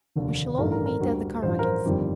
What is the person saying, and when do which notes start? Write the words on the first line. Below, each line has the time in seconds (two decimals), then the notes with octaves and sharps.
We shall all meet at the Karagins'!
0.16 F1 D#2 D3
0.58 A1 G2 D#3 A3 A#4
0.72 A#4
0.86 A#4
1.01 D2 D3 G3
1.42 A1 G2 F3 C5
1.59 A#4
1.64 C5
1.85 G1 F2 D#3 G3